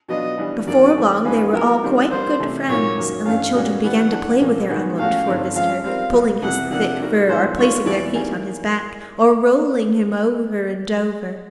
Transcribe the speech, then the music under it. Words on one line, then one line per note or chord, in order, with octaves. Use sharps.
Before long they were all quite good friends, and the children began to play with their unlooked for visitor, pulling his thick fur, or placing their feet on his back, or rolling him over and over.
B2 F#3 B3 D4 F4 D#5
E3 G3 B3 D4
F#2 D#3 F#3 A#3 D5
G#2 E3 A3
G#2 D#3 G#3 C#4 F4 B4
F#3 B3 E4 A#4
D#3 G3 C4 F4
G3 A#3 D4 C5
C3 E3 A3
A#2 F#3 A#3 D#4 C#5
F#2 D#3 F#3 A#3
G2 E3 A3 C#4 F5
A#2 G3 A#3 C#4 F#4
E3 G3 B3 F#5
E3 A3 D4
A#2 F3 A#3
D#3 G#3 B3 D#4 F#4
A2 F3 A3 C#4 F#4 F5
G2 D3 G3 C4 D#4
F3 G#3 C#4 F4 F5
G3 C4 F4 A#4 F5
B2 F#3 B3
F2 C3 E3 F#5
C3 F3 A#3 D4 G4 F#5
G3 A#3 D#4 F#4 A#4
A2 F3 G#3 B3 D#4 C5
D#3 G3 C4 F4 A#4 C#5
E2 B2 F#3 B3 E4 D5
E3 G3 A#3 D#4 G#4